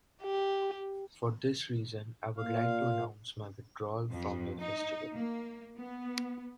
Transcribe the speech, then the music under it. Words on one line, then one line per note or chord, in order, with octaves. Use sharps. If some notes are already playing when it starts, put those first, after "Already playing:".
For this reason, I would like to announce my withdrawal from your festival.
G4
A#2 F5
F2
D#4
A#3
B3